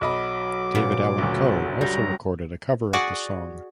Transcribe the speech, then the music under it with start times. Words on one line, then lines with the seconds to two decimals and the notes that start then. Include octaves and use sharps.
David Allan Coe also recorded a cover of the song.
0.01 B1 F#3 D#5 B5 D6
0.75 A#2 C#3 B3
1.18 F#1 D2
1.81 G3 A#5
2.93 F#4 G#4 D5 F#5